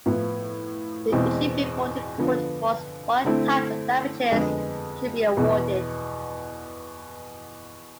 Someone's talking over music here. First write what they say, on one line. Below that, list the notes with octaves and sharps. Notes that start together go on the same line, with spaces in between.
The issue before the court was what type of damages should be awarded.
A2 F3 B3 E4
E2 B2 G#3 C4 E4
D3 F3 B3
D3 A3 C4 E4
F2 D3 G#3 B3
E2 B2 B3 E4